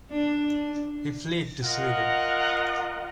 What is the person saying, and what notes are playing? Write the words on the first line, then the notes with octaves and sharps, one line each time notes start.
He fled to Sweden.
D4
F4 A#4 D#5 F#5